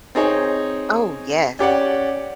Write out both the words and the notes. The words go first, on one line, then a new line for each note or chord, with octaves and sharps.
Oh, yes.
C4 D#4 G#4 C#5
C#4 G4 D5 F#5